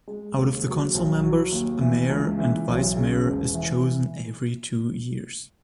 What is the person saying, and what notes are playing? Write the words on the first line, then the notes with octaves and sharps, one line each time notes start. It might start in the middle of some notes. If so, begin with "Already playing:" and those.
Out of the council members, a mayor and vice-mayor is chosen every two years.
G#3
D#2
F#3
B1
F#3
D#2
E3
C#2
E3
B1
C#3
E1
E3